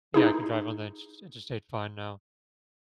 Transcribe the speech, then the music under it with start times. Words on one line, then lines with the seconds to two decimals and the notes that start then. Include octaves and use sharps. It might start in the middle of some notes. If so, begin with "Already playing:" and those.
Yeah, I can drive on the insters interstate fine now.
0.14 D#4 E4 G#4